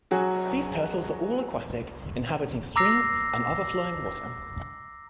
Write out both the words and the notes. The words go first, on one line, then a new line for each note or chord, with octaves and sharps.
These turtles are all aquatic, inhabiting streams and other flowing water.
F#3 F#4 G#4
A#5 D6 E6 A#6 C7